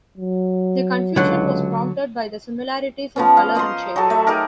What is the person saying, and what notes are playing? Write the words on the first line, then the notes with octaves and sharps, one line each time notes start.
The confusion was prompted by the similarities in colour and shape.
F#3
C#2 D3 F#3
F3 B3 C#4
F5
C5 D#5 A#5 C6
F#3 G#4 A4
A3 E5
D#4 G4 G#4 A#4